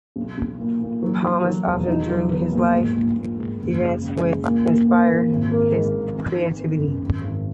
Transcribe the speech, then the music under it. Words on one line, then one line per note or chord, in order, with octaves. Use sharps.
Pomus often drew on life events which inspired his creativity.
B1
B1
A#2
A#2
F#3
F#3
F#3
E1
D#4
F#3
B3
A#2
G#2
A#1
A#1
G#2
F#1
G#3
C#3
G#3
A#2
A#2
A#3
A#2
G#1
A#3
G#2
G#1
E3
D#4
B3
F#2
G#1
G#1